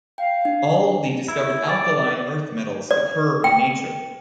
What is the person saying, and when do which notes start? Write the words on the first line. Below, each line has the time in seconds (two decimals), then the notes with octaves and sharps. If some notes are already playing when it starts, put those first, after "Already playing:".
All the discovered alkaline earth metals occur in nature.
0.18 F5 G5
0.45 D4
1.28 E4
1.69 D5
2.91 D5
3.44 G5